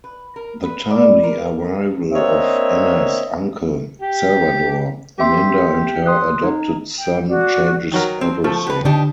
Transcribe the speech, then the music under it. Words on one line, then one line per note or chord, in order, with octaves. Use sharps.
The timely arrival of Ana's uncle, Salvador, Amanda and her adopted son changes everything.
B4
A#4
B4
D5
A#4
A#3 C4 D4 C#5 D#5 E5
G4
C4 G4 E5 C6
C6 D#6 F#6
D#4
G5
F#4 D5
D#3 F#3 A#4
C4
F3 A3
G4 B4
D3 D4 D#4 G4